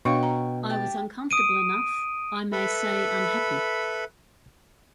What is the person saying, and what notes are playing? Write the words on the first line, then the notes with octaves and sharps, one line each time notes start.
I was uncomfortable enough, I may say unhappy.
B2 D4 C#5 F5 G5 C#6
A#5
G4 A5
D#6 D7 D#7
A4 B4 E5 B5